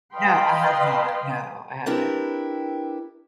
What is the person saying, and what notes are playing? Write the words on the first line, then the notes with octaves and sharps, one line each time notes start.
No, I have not. No, I haven't.
B4 D#5 F5 G5 B5 C6
C4 D4 E4 G4 A#4 B4